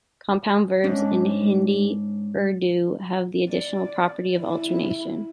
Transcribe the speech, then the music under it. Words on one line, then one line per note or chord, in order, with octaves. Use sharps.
Compound verbs in Hindi-Urdu have the additional property of alternation.
G#2 C#4 D4
D5
E4